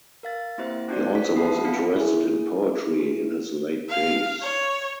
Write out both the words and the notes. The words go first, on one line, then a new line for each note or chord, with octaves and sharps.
He also was interested in poetry in his late days.
A#4 F5 A6
A#3 C4 E4 G4 C5 E5
C#4 D#4 F#4 G4 C5 D5
B6
E5 F#5 A5 B5 D#6 C7
C4 D4 F4 F5 B6 C#7
E4 G#4
F5
C#5